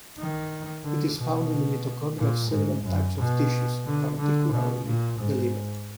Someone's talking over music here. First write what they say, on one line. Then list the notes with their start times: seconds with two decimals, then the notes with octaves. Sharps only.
It is found in the mitochondria of several types of tissues, particularly the liver.
0.18 D#3
0.84 D3
1.17 B2
2.18 A#2
2.51 G#2
2.84 F#2
3.18 B2
3.84 D3
4.18 D3
4.52 B2
4.85 A#2
5.19 G#2